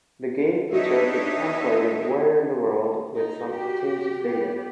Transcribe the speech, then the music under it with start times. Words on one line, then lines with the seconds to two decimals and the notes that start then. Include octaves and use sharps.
The game featured the template of "Where in the World" with some changed data.
0.72 B3 D4 D#4 C#5 D#5 E5
3.15 D#4
3.49 F#4 G4
4.23 B3 G4